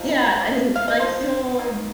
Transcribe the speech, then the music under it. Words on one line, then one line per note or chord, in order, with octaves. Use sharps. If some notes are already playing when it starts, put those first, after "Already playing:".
Yeah, I mean, like, he'll
Already playing: C3 F3 D#4
F3 A#3 D#4
F5
D#5
F3 D#4 C5
D#3 A#3 D#4